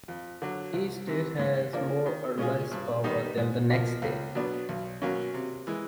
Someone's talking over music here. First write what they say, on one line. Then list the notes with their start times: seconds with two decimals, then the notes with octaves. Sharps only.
Each state has more or less power than the next state.
0.08 F2
0.42 D3 F#3
0.73 C2
1.07 C3 E3
1.39 G#2
1.73 F3 A#3 D4
2.06 D#3
2.38 G#3 C#4 F4 G#4
2.71 G2
3.04 D#3 G3 B3 D#4
3.37 G#2
3.70 F3 A#3
4.02 C#2
4.35 B2 F#3 B3 D4
4.69 B1
5.02 B2 F#3 A#3 C#4
5.34 C3
5.67 E3 G#3